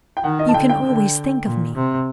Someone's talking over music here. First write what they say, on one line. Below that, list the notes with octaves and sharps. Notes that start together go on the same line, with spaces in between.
"You can always think of me."
G5
D#3 F#5
D#5
A5
D3 G5
G5
D3
A#2
C3